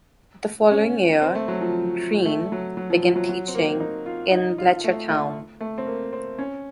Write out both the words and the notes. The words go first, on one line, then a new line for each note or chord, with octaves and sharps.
The following year Greene began teaching in Belchertown.
C#4
C4
A3
F#3
F3
A3
F#3
F#3
F3
F3
F#3
F#3
C4
A#3
D#4
F4
D#4
F4
A3
A3
A3
C4
A#3
C4
C#4